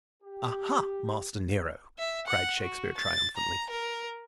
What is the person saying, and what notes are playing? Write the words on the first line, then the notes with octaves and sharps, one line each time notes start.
"Aha, Master Nero!" cried Shakespeare triumphantly.
G4
E5
F#5
F#4
A6
A#5
A#4